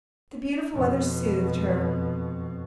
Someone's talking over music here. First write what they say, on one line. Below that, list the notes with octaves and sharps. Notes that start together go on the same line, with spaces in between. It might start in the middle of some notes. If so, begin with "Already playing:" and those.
The beautiful weather soothed her.
F2 B2